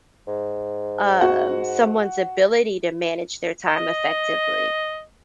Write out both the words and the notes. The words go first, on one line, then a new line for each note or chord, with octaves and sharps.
um, someone's ability to manage their time effectively?
G#2
F#4 F#5
D#5